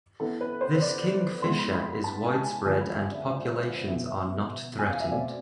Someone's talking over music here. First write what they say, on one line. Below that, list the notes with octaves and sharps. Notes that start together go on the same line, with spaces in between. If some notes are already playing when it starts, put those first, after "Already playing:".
This kingfisher is widespread and populations are not threatened.
E3 B3 A4
B4
C5
C5
D5
E3 G#3 B3 C6
B5
B5
B5
A5
G#5
G#5
D3 F3 G#3 G#5
B5
E5
D5
C5
B4
B2 B3 E5
G#5
F5
E5
B2 A3 C4 D5